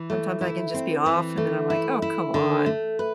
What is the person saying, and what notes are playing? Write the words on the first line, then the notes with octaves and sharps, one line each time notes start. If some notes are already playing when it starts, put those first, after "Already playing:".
Sometimes I can just be off, and then I'm like, "Oh, come on."
Already playing: E3
A3
E4
C4
E3
A3
E4
E4
D3
A3
B4